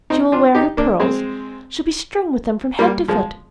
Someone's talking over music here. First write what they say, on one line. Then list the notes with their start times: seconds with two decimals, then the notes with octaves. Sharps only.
She will wear her pearls--she'll be strung with them from head to foot.
0.10 C4 D#4
0.32 D4 F4
0.55 D#4 G4
0.77 A#3 D4
1.00 G#3 C4
2.79 G3 A#3
3.08 F3 G#3